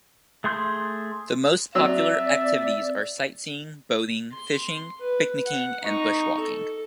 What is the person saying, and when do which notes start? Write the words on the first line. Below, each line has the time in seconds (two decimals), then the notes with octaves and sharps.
The most popular activities are sightseeing, boating, fishing, picnicking and bushwalking.
0.44 A3 G#4 C6 G6
1.75 F#3 C4 D5 E5 E6
4.33 C6
4.99 B4
5.46 F#5
5.83 D#4 C#6
6.40 A4